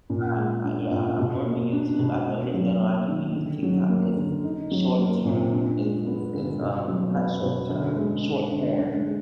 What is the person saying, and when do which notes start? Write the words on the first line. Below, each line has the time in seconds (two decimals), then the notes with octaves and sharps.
uh uh Yeah, I'm more of a YouTube I noticed that a lotta people use TikTok because it's short-term, it's it's it's, um not short-term, short-form,
0.10 A#2
0.37 G#3
0.64 D4
0.91 A#2
1.18 B2
1.46 A#3
1.72 D4
1.99 B2
2.27 D4
2.54 F#3
2.81 A#3
3.08 D#3
3.35 D3
3.63 F#3
3.89 A#3
4.16 D3
4.44 D#4
4.71 F#3
4.98 A#3
5.25 A#2
5.52 D4
5.79 G#3
6.06 B3
6.33 D3
6.61 B2
6.88 F#3
7.15 B3
7.42 B2
7.69 D3
7.96 G#3
8.23 D4
8.51 D3
8.78 D4
9.05 G#3